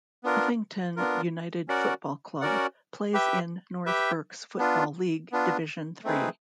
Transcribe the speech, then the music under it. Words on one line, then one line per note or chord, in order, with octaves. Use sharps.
Uffington United Football Club plays in North Berks Football League Division Three.
B3 D4 F4 A#4
B3 D4 F4 A#4
C#4 F#4 A#4 D5 F#5
C#4 F#4 A#4 D5 F#5
G4 B4 E5 G5
G4 B4 E5 G5
B3 D4 F4
B3 D4 F4
A3 C4 D#4 G#4 B4